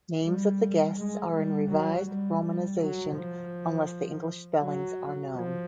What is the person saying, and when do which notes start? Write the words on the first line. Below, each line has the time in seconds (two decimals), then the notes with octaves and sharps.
Names of the guests are in revised romanization unless the English spellings are known.
0.25 G3
0.98 G#3
1.35 G3
1.71 F#3
2.07 G3
2.43 G3
2.80 F#3
3.16 F3
4.62 F#3
5.35 F3